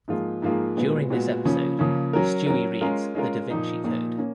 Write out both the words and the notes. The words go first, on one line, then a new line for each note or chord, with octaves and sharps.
During the episode Stewie reads "The Da Vinci Code".
G#2 F3 A#3 F4 G#4
G#2 F3 A#3 F4 G#4
A#2 G#3 B3 F#4
A#2 G#3 B3 F#4
C#3 F3 A#3 C#4
C#3 F3 A#3 C#4
F#3 C#4 F#4 A#4
F#3 C#4 F#4 A#4
G#3 C#4 F4 A#4
G#3 C#4 F4 A#4
A#2 F3 A#3 D#4
A#2 F3 A#3 D#4
A#3 C#4